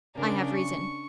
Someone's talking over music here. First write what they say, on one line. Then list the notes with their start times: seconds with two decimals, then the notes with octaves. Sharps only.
I have reason.'
0.16 C#3 D4 A#4
0.54 C#6